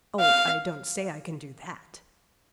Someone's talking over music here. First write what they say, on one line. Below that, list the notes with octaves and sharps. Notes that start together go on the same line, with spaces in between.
"Oh, I don't say I can do that."
F5